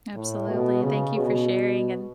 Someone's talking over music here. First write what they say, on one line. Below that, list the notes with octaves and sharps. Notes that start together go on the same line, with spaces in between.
Absolutely, thank you for sharing, and
A2
B2
C#3
B2